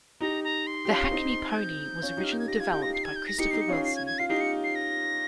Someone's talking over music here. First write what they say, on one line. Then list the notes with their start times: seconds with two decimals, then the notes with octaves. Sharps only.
The Hackney Pony was originally developed by Christopher Wilson.
0.21 D#4 G4 A#5
0.44 A#5
0.67 C6
0.85 G4
0.89 C#4 F4
1.11 C4 D#4
1.49 G#6
1.57 G6
2.02 C#4 F4
2.17 D#4 G4
2.24 F6
2.32 G6
2.39 G#6
2.48 G4 A#6
2.60 F4 G#6
2.71 D#4 G4 G6
2.82 A#6
2.94 C7
3.04 G#6
3.16 G6
3.27 A#6
3.38 D#4 G4 C#7
3.51 D#4 G4 C7
3.61 C#7
3.68 C#4 F4 C7
3.85 C7
3.96 G#6
4.06 G#6
4.18 F4 C7
4.29 D#4 G4 C7
4.41 C#7
4.64 C7
4.75 A#6